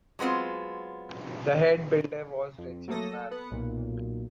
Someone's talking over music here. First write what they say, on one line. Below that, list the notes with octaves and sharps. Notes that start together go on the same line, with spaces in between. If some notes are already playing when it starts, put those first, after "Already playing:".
The head builder was Richard Marrone.
F#3 G#3 B3 C4 F4
F2
F#3 A3 A#3 A4 D#6 A#6
A4
B3 B4 F#5
B1 A#2